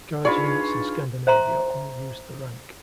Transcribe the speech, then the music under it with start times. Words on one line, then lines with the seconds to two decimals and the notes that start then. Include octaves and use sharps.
Guards units in Scandinavia all use the rank.
0.25 D4 D#4 F4 G#4 B4 C#5 D5 B5
1.27 C5 E5 A#5 C6